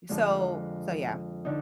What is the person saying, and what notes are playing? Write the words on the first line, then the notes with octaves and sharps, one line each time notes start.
so so, yeah.
F2 D3 G#3 D4
D3 D#4